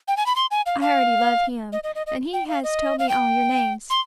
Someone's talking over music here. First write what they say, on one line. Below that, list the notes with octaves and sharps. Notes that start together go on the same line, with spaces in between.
I already love him, and he has told me all your names.
G5
G#5
B5
C6
G#5
F5
F5
D#5
D#5
D#5
D#5
G5
F5
D#5
F5
G5
C6